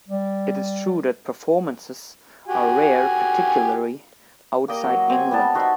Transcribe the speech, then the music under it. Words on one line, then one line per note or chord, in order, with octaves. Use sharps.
It is true that performances are rare, particularly outside England.
G3
F#4 G4 G#5
A#3 G4 D#5
F#3
C4 G#5
G3 B3 A5
D#4 F#4 C5 E5